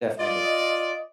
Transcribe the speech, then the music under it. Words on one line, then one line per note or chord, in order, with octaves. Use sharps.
Definitely before.
F4 D5 D#5